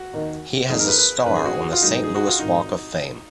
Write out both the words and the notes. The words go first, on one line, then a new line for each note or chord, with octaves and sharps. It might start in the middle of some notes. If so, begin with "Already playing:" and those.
He has a star on the Saint Louis Walk of Fame.
Already playing: F#4
D#2 D#3 A#3 D#4
F2 D#3 A#3 D#4 G#4
A#4
B4
B4
G#1 F#2 D#3 B4
G#4
F#4
G#4
F4
G#2 F#3 A#3 D#4
G#4
F#4
F4
G#1 G#2 D#3 D#4